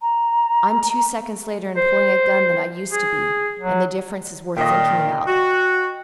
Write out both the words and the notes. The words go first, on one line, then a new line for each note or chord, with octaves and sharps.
I'm two seconds later in pulling a gun than I used to be, and the difference is worth thinking about.
A#5
C5
G#4
F#3
A#2 D#3 D#5 G5
F#4